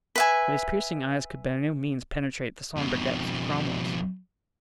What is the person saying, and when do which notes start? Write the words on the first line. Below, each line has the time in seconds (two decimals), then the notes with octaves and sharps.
But his piercing eyes could by no means penetrate the sombre depths of Cromwell's.
0.16 B4 E5 G#5
2.77 F2 B2